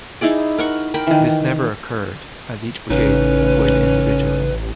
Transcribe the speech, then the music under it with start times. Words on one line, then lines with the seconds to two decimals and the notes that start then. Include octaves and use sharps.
This never occurred, as each brigade deployed individually.
0.21 D#4 E4 G#4 D5
0.58 A#4 F#5 C#6
0.94 A#4 G5 B5
1.07 D#3 E3
2.90 A1 C#3 C#4 D#4 B4